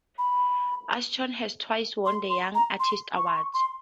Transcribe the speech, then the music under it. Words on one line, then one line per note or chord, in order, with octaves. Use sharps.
Ashton has twice won the Young Artist Award.
B5
C6
C6
A#5
C6
C#6
C6
C#6
C6